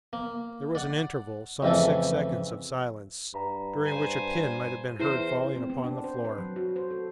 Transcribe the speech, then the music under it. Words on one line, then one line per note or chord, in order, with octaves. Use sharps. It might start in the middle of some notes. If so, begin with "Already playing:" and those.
There was an interval--some six seconds--of silence, during which a pin might have been heard falling upon the floor.
A#3
D5 F#5
F2 A2 C#3 E3 A4
G2 A#5 B5
C5 G#5
E2 E4 C5
C4
B3
D4
C5
B4
F#3
F#4
C5
A4